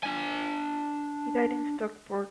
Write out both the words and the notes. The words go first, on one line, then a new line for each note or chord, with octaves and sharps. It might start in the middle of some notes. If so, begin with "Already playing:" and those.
He died in Stockport.
D4 G#5